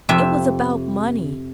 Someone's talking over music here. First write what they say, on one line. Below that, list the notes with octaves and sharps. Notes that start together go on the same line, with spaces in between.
'It was about money.
F2 C3 E5